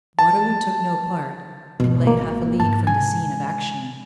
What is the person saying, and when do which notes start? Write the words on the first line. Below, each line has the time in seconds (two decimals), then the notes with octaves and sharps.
Waterloo took no part, and lay half a league from the scene of action.
0.19 A5
1.80 G#1 B2 D#3
2.07 A#3
2.60 G#2 A5
2.87 C3 G#3 G#5